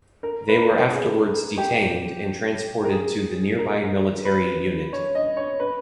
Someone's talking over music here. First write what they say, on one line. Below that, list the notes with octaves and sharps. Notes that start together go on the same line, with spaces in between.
They were afterwards detained and transported to the nearby military unit.
A#4
B4
A#4
G#4
G4
A#4
G#4
A#4
B4
C#5
D#5
C#5
B4